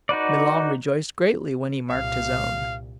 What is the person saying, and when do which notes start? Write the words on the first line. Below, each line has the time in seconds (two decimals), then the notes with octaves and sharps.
Milon rejoiced greatly when he marked his own.
0.09 D#4 F#4 B4 D5
1.90 C2 A#2 F5